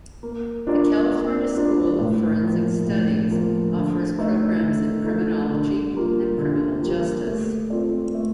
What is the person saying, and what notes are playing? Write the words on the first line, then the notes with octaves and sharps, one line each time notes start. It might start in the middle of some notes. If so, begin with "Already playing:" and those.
The California School of Forensic Studies offers programs in criminology and criminal justice.
A#3
D4 F4 A#4 D5
A#3
D4 F4 A#4 D5
A2
F3 A#3
A2
F3 A#3
D3
A3 D#4 A4
D3
A3 D#4 A4
D3
G3 A#3 F4
D3
G3 A#3 F4
A3
C4 F4 A4 D5
A3